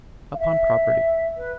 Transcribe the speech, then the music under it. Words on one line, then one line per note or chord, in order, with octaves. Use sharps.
Upon property.
F5
E5
B4